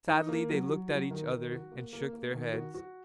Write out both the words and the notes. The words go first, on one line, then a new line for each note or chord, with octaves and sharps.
Sadly they looked at each other and shook their heads.
D#4
A#3
F#3
F#3
F#3
D#3
D#3
F#4
A#3
A#3
A#3
D#3
F#4
F#4